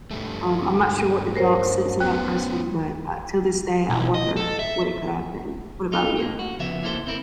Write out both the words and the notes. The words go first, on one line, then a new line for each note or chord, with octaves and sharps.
um, I'm not sure what the dog sense in that person, but, uh, till this day, I wonder what it could have been. What about you?
G2 G3 A3
A#4 C5 C#5
D#2 B3 C#4
B1
D#5
A4
E5
D#4 F4
A2 D#3 A#3
F#4
C#3 F3 B3 E5
A#3 E4 A4 C5
C4 E4 A#4